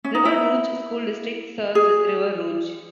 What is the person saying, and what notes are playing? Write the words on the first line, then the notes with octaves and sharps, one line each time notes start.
River Rouge School District serves River Rouge.
C#4
D#4
E4
G#4